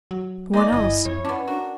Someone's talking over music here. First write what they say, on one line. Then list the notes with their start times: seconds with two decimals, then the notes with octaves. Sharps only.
What else?
0.11 F#3
0.54 A#3 D#4 G#4 D5 D#5
0.72 G1 E4 G#4 D#5
1.05 F2 C#5
1.25 B3 C#4 D4
1.48 D4 F#4 A#4